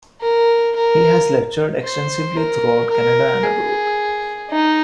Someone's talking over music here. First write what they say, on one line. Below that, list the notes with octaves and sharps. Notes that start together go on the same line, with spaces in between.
He has lectured extensively throughout Canada and abroad.
A#4
A#4
C5
A#4
A#4
G#4
D#4